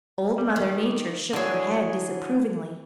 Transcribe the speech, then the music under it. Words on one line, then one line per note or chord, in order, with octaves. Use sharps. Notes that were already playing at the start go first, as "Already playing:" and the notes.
Old Mother Nature shook her head disapprovingly.
G3
D#3
D3 E3 F#3 D4 G#4